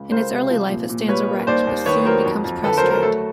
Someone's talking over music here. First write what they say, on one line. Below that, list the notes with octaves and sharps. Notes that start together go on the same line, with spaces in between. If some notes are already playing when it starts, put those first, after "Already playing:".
In its early life it stands erect, but soon becomes prostrate.
Already playing: C#2
C#2 A#4 C5
C3
F3
A#2
A#2
G3 B4 C#5
A#3
D#2 C5 D5
D#2
D#3 B4 C#5
F#3 A#4 C5
F2
F2
D3 A4 B4
A#4 C5
F#3
A#4
A3 A4